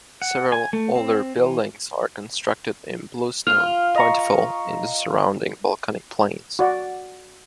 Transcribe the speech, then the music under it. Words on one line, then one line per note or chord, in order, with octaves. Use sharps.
Several older buildings are constructed in bluestone, plentiful in the surrounding volcanic plains.
F#5
G#5
A3
C4
E3
F4 F6
D#5 A#5 C#6
F#4 D5 F#5